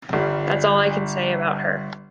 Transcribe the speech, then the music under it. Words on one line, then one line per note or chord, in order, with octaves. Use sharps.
That's all I can say about her.
G1 G3